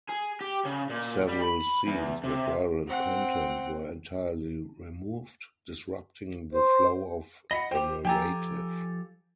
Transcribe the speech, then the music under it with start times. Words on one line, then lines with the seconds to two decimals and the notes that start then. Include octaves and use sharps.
Several scenes with violent content were entirely removed, disrupting the flow of the narrative.
0.09 G#4
0.41 G4
0.65 C#3
0.90 A#2
1.29 G3
1.42 B5
1.87 E2
2.24 C3
2.88 C4 F#5
6.54 C5
7.51 D#5 E5 F#5 B5
7.71 F4 G4 C5 G5
8.05 F3 G4 A4 G5 G#5 A#5